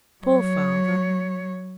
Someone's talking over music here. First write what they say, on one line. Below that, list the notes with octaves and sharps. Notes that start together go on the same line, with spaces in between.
Poor father!
F#3 C#5